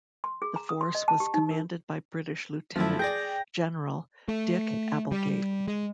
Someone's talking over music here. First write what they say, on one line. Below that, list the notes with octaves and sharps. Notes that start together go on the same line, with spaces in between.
The Force was commanded by British Lieutenant General Dick Applegate.
C6
G#4
A#5
D#6
C6
D#5
A5
G4
D#4
A#4
F#2 F3 A3 E4
G#4 D5 G5 A#6
A3
G3
G#3